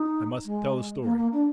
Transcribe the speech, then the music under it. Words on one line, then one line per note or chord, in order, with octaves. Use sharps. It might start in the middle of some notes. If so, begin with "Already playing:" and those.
I must tell a story.
Already playing: D#4
G#3
A#3
A#3
D4